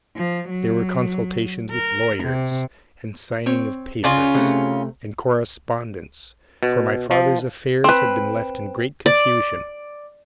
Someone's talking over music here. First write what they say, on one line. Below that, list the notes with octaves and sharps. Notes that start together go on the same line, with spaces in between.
There were consultations with lawyers, and signing of papers, and correspondence; for my father's affairs had been left in great confusion.
F3
F#3
A#4
C3
C4 C#5
C#3 C#4 F4 D5
C3 A3
B2
F3
C4 B4
D5